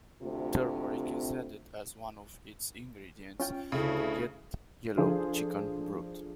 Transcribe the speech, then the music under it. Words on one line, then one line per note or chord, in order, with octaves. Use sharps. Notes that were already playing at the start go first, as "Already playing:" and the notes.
Turmeric is added as one of its ingredients to get yellow chicken broth.
D2 C3 A3 C4 F4
C#4 F4 G5
D2 C#3 A3 E4
F3 D4 F4 G#4 A4 C5